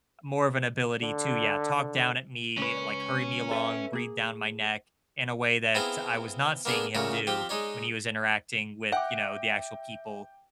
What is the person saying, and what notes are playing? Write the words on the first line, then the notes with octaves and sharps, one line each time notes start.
more of an ability to, yeah, talk down at me, like hurry me along, breathe down my neck in a way that I was not seeing him do when he was interacting with, you know, the actual people
D3
D3
C#2 C#4 B4 C#5
A4 B4 E5
A#3 G#4
B3 C4 E4 G#4 F5 A#5
A#3 B3 D4 G#4 A4
A#2 C#3 A3 F#4 C#5 A#5
F3 C4 G4
G#3 D#4 C#5 D5
E5 F#5 G5 D6